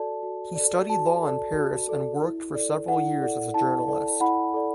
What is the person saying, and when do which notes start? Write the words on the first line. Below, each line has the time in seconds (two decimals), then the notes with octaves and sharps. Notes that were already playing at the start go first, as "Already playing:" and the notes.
He studied law in Paris and worked for several years as a journalist.
Already playing: F#4 A4 D5 A5
0.23 F#4
0.55 A4 D5
0.90 F#4 A5
1.22 A4 D5
1.56 F#4
1.89 A4 D5
2.22 E4
2.55 A4 D5
2.88 E4 F#5
3.22 A4 D5
3.54 E4 A5
3.88 A4 D5
4.20 E4 F#5 B5
4.54 A4 D5